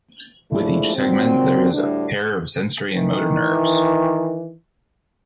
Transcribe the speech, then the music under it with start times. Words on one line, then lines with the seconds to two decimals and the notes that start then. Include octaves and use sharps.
With each segment, there is a pair of sensory and motor nerves.
0.50 D#2 F3 G#3 A3 D4 E4
0.96 A#2 D#3 F#3 C4
1.73 D2 A2 G3 D4
2.95 D#3 E3